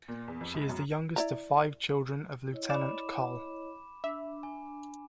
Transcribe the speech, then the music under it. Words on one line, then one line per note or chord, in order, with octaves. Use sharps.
She is the youngest of five children of Lt.-Col.
A#2
E2
F2
C#2
F#2
E4 D5 A#5
E4 C#5 D#5
D5 B5 D6 E7
D4 E5
G#5